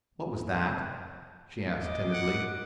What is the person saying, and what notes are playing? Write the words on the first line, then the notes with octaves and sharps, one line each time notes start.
"What was that?" she asked timidly.
D#5 D6
F#5